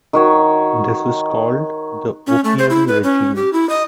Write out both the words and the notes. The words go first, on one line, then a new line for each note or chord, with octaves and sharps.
This was called the "opium-regime".
D#3 F#4 C#5
C#4
A3
C5
E4
B4
C#4
G4
E4
D#5